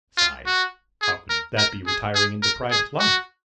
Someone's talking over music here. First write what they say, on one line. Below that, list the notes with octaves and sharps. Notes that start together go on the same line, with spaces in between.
Besides, how could that be retiring into private life?
F4
F#4
G#4
A#4
A#4
G#4
G#4
A#4
G#4
F#4